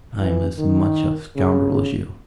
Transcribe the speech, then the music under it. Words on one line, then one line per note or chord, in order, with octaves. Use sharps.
I am as much a scoundrel as you.
E3
D#3
C#3